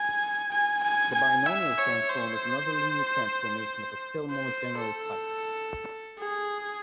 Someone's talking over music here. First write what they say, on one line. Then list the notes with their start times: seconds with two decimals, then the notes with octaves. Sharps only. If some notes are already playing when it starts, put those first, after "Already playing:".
The binomial transform is another linear transformation of a still more general type.
Already playing: G#5
0.52 G#5
0.83 G#5
1.15 G#5
1.46 E5
1.78 C#5
2.09 C5
4.30 C5
4.78 A4
6.19 G#4